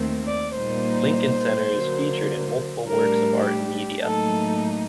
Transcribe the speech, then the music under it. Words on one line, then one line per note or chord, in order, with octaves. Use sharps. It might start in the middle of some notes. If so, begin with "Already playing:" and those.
Lincoln Center is featured in multiple works of art and media.
Already playing: D#2 D#3 A3 C4
D5
A#2 G3 A#3 D#4 C5
D3 F#3 A#3
A2 G3 D4 A#4
G4
A2 F#3 A#3 D#4 A4